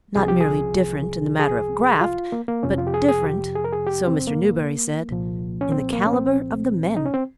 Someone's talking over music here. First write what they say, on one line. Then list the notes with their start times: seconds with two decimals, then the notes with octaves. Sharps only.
Not merely different in the matter of graft, but different, so Mr. Newberry said, in the calibre of the men.
0.16 C2 C3 F3 G#4
0.28 G4
0.41 G#4
1.40 G#4
2.01 F4
2.32 A#3
2.48 A#3
2.63 F2 C3 F3 C#4
2.78 F4
2.87 G4
2.94 G#4
3.09 G#4
3.24 G4
3.55 G#4
3.64 A#4
3.73 G#4
3.86 G4
4.07 C4
4.27 A#3
5.10 C2 A#2 F3
5.61 C#4
5.72 C4
5.93 A#3
6.06 C#4
6.13 C4
6.97 D#4
7.06 C#4
7.14 C4